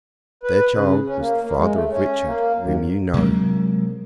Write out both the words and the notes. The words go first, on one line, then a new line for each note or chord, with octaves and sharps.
Their child was the father of Richard whom you know.
B4
C#3
C#4
A#3
A#3
G#3
A3
C#4
A#3
F#2
C3 F#3 G#3 A#3